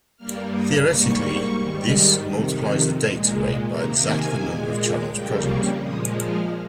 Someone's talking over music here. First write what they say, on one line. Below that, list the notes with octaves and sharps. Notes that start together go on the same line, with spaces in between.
Theoretically this multiplies the data rate by exactly the number of channels present.
G2 G3 A#3 F6
D#6
G#2 G3 A#3 C#6
G#2 D#3 G3
F2 C3 D#3
A#2 G#3
C3 D#3 A#3 A#5
G#5
A#2 G#3
F2 C#3 G3 A#3 G5
C#6
A#2 F3 G#3 D#6
F6